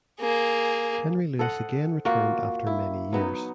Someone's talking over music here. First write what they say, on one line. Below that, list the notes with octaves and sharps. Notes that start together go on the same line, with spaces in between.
Henry Lewis again returned after many years.
A#3 G#4
A4 C5 D#5 F#5
A#3 F4 F#4
E4
F#3 B3 D#4